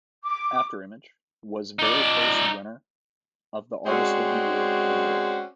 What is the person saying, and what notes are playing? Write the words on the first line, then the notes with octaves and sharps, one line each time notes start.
Afterimage was very first winner of the Artist of the Year award.
D6
D#4 D5
G#3 C4 C#4 F#4 C5 D5